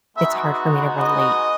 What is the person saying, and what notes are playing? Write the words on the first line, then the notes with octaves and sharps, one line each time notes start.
It's hard for me to relate.
G#3 B3 D#4 F#4 E5
D#5